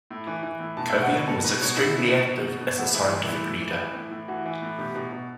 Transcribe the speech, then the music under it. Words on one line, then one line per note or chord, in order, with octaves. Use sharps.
Covian was extremely active as a scientific leader.
A2
E3
E3
A2
B2 A5
E5
B2
F#5
B2
B4
B2 A4
B2 B4
B2 C#5
B2 E4
B2
B2
B2
B2
B2
A2 F#4
E3 E4
E3
A2 E4
A2
E3
E3
A2
A2
E3 F#4
E3
A2
B2 G4
B2
B2